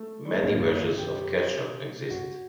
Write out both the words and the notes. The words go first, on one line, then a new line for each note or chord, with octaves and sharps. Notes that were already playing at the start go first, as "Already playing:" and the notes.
Many versions of cacho exist.
Already playing: A3
G3
A3
A2 A#3
G2
F#2
G2
F#2 G4
G2 F#4